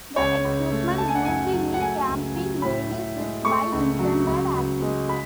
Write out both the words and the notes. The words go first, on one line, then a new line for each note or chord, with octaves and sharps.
The equipment used in camping varies with by intended activity.
C#2 C#5
C#2
A3
A3 A5
G#5
F#5
F#2 G#5
F#3
F#5
A3 G#5
C#2
F#3
A2 B5
A2
G#3
A3 C#6
C#2
F#3
C#2
C#2
G#3
B5